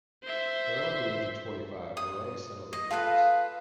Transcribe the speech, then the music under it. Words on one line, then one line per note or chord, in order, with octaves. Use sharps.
Around the age of twenty-five, Mouret settled in Paris.
C5 E5
D#6
D#5
F4 A4 B4 F5